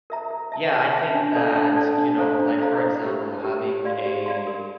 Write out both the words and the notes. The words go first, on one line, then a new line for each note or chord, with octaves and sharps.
Yeah, I think that you know, like, for example, having a
A#4 E5 A#5
A#4
E5 A5
A#4
E5 A5
D4
A4 D5 F5 A5
D4
A4 D5 F5 A5
D4
A4 C5 F5 A#5
D4
A4 C5 F5 A#5
E4
G4 A#4
E4
G4 A#4
G4
D5 F5 C6
G4
D5 F5 C6
A#4